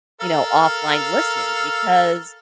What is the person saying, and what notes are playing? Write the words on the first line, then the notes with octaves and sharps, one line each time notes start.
you know, offline listening because
A4 A#4 F5